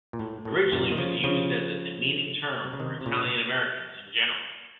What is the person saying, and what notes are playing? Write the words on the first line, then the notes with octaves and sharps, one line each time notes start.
Originally, it was used as a demeaning term for Italian Americans in general.
A#2
A2
A2
F#2 A#2
D#3
C#3 F3
C#3 F3
C3
C#3
C3 D#3
C3
A#2 C#3